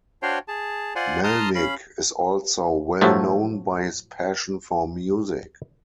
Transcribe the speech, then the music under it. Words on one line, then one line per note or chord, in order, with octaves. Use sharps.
Melnick is also well known by his passion for music.
D4 F#4 C5 C#5 F5 G5
G#4 A5
F4 C5 D5 F#5 G#5
A5 A#5 C6 D#6 F6
C#4 F5 B5
A2 F3 F#3 A3